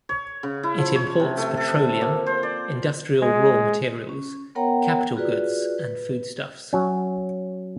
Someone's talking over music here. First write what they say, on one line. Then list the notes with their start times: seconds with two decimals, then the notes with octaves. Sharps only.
It imports petroleum, industrial raw materials, capital goods, and foodstuffs.
0.09 C#5
0.43 C#3
0.63 E4
0.78 F3
0.95 C#5
1.20 C3
1.37 A3
1.57 A4
2.01 A#3
2.27 C5
2.43 D5
3.22 G#3
4.09 C#4
4.55 B3 A#4 C#5 F#5 G5 A#5
5.16 F4 F#4 G#4 B4 D5
5.78 B4
6.73 F#3 C#4